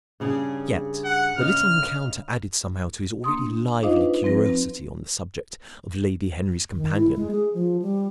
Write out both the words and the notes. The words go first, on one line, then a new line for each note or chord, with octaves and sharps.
Yet the little encounter added somehow to his already lively curiosity on the subject of Lady Henry's companion.
G2 C#3 G#4
F#5
C#3 D#5 F6
A#3 D4 C6 D#6
D4 D#4 F4 C5 D#5 F5
B4
F3 C4 B4 A#6
C4
D#3
E4
G#3
G#4
F3
G3